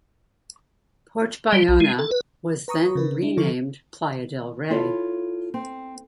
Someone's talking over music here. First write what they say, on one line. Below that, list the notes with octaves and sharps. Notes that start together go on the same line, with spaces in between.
Port Ballona was then renamed Playa Del Rey.
G3
B1
G#3
A4
B4
B4 A#5 C#6 D#6
C#3 A#4 B4
D4 E4
D3 F3 A4 C#6
E4 F4 A4 C#5
C4